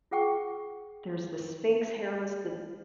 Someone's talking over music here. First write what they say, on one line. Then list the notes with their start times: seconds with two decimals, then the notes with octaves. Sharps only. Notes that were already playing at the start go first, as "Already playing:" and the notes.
there's the Sphinx hairless, the
0.11 F4 G#4 F#5 G5 C#6